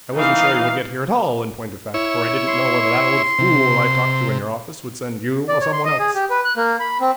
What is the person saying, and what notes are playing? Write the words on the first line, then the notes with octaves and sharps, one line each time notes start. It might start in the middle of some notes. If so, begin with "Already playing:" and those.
I wasn't sure you would get here at all, in point of fact, for I didn't know whether that old fool I talked to in your office would send you or some one else.
E3 D#4 F5
E4 C#5
C6
C3
D5
C#5
C6
D#5
G#4
G4
B4
F#6
A#3
B5
C4